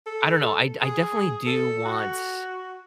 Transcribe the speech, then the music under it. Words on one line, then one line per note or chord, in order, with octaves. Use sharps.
I don't know. I d I definitely do want
A4
G#4
A4
F#4